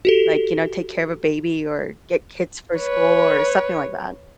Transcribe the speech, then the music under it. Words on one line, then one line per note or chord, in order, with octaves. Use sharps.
like, you know, take care of a baby or get kids for school or something like that.
F#4 G4 A4
B4 C#5